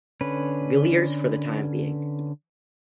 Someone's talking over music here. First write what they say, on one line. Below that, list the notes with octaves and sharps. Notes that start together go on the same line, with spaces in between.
Villiers for the time being.
D3 C#4 B4